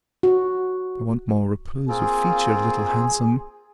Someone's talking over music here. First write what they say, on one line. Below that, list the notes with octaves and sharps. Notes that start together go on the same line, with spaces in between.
I want more repose of feature, Little Handsome.
F#4
A#3 C4 F4 G#4